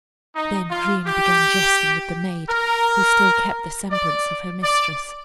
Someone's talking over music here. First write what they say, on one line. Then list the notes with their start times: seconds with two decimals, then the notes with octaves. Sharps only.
Then Rhun began jesting with the maid, who still kept the semblance of her mistress.
0.35 D#4
0.69 F4
1.06 G4
2.48 A#4
3.91 D5
4.63 D5